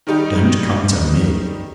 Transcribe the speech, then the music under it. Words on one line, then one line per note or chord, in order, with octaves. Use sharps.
Don't come to me.
D#3 G3 D#4 G4